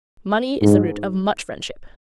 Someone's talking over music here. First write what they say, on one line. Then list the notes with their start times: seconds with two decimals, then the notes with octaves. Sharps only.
Money is the root of much friendship.
0.62 G#2